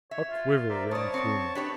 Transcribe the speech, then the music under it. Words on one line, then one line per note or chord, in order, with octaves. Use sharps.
A quiver ran through me.
C#5 E5
F4
A#4 C5 D5 E5
G2 C#5 D5 A5 D#6
C4 F#5 C#6
D4 G4 B4 C#5